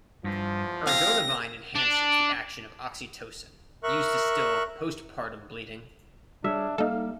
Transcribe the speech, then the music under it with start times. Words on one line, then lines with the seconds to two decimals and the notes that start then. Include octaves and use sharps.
Ergonovine enhances the action of oxytocin, used to still "post partum" bleeding.
0.24 E2 G2 F3
0.86 C4 F5 A#6
1.75 D4
3.83 A#4 E5 C#6 F#6
6.44 G3 D4 G#4 C#5 E5
6.78 G3 A#3 D#4 A4 F5